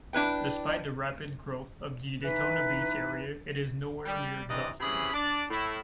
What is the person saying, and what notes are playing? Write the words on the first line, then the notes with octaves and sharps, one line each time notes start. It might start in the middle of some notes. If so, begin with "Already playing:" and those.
Despite the rapid growth of the Daytona Beach area, it is nowhere near exhausting.
D4 E4 B4 G5
E3 D#4 B4
G3
G2 E3 C4 D#4 D5 D#5
C3 E3 C#4 G#4 B5
D4 D5
A2 E4